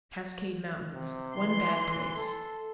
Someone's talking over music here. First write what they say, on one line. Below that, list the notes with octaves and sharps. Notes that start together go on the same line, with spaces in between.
Cascade Mountains.--One bad place.
C3
E3 C6
A4